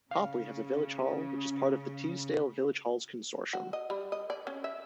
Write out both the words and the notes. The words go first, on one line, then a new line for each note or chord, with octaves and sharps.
Copley has a Village Hall which is part of the Teesdale Village Halls' Consortium.
C#3 F5
F#4
D#5
G3
D#5
D5
C#4
E5